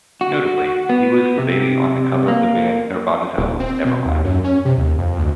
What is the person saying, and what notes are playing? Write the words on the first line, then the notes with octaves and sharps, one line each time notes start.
Notably, he was the baby on the cover of the band Nirvana's album "Nevermind".
F#4
B3
C3
A#3
D#1
C4
B2
D#2
F#2
C#4
C3
D#2
F2
D2